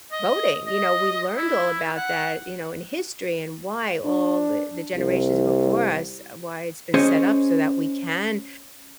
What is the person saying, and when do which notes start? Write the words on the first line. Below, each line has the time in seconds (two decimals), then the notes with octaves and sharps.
voting. You know, we learned all about that, you know, in history and why all, eh, the generations before us, why it's been set up so that we can
0.12 D#5
0.67 D#5
1.37 E4
1.96 F#5
4.05 D4
4.96 C2
6.94 C#4 G#4 C5 C#5 D#5